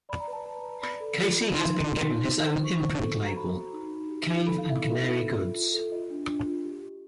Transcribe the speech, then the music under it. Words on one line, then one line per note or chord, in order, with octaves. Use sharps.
Casey has been given his own imprint label: Cave and Canary Goods.
D5 B5
A#5
B4
A5
B4 A#5
B4
D5 B5
A4
F4
F4
D#4 C6
D#4
D#4
D#4
C5
C5
C5 C#6
C5
A4
F#4
A#5
F#4 B5
F#4
D#4
D#4
G4
D#4
A4 B5
F5
E4
E5
A4 E5
E4
A4
F4
F4
A4
F4 D#5
D4
D4
F4
G4
G4